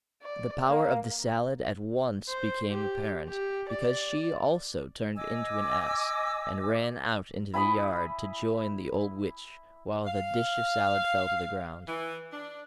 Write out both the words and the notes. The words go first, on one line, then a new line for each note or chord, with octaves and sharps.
The power of the salad at once became apparent, because she also turned into an ass, and ran out into the yard to join the Old Witch, while the dish of salad fell to the ground.
D5
A#3
C5
G4
G4
D5
D#5 G#5 D6 E6
E4 G#5 B5 D#6
F5
E3
D4